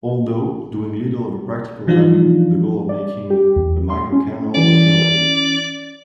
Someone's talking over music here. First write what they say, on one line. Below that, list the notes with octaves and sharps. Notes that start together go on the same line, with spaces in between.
Although doing little of practical value, the goal of making a microkernel was realized.
E3 F3 D4 D#4 F4
D5
G4
E2
C6
C#4
E3 C#4 D5